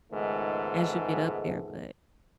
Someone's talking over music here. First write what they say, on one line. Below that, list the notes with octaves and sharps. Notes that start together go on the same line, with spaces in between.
as you get up there, but,
C#2 G#2 D#3 G#3 A3 B3